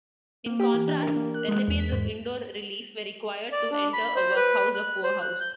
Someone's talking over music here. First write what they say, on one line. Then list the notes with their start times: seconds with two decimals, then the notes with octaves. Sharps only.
In contrast, recipients of indoor relief were required to enter a workhouse or poorhouse.
0.46 A#3
0.60 G4
0.74 E3
0.88 D4
1.03 A#4
1.16 A#3
1.34 F#6
1.48 G#3
1.68 E2
1.79 B6
1.92 G#2
3.52 D5
3.71 D4
3.93 B5
4.16 C5
4.36 B4
4.74 F#6
5.03 C5
5.22 F#6
5.40 G6